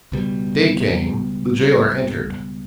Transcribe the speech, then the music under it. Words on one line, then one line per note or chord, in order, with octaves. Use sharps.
Day came, the jailer entered.
C#2 B2 G3